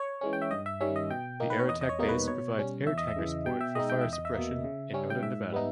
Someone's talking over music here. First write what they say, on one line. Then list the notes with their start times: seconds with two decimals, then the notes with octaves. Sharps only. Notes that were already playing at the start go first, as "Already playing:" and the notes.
The Air Attack Base provides air tanker support for fire suppression in northern Nevada.
Already playing: C#5
0.21 E3 G#3 C#4
0.33 G5
0.42 E5
0.51 G2 D#5
0.66 E5
0.81 D#3 G3 C#4 E5
0.96 D#5
1.11 B2 G5
1.40 A#3 D#4
1.50 B4
1.59 C#5
1.69 E2 D#5
1.81 D#5
1.89 C#5
1.99 B2 G3 A#3 D#4
2.09 B4
2.28 B2 C#5
2.58 G3 C#4
2.87 E2 E5
2.98 D#5
3.08 E5
3.16 C#3 E3
3.46 B2 G5
3.61 E5
3.75 G#3 D#4 D#5
3.90 G5
4.01 E2 E5
4.13 D#5
4.25 E5
4.34 B2 A#3
4.64 C#3
4.93 G3 C#4
5.10 G5
5.23 G#2 E5
5.52 G3 B3 D#4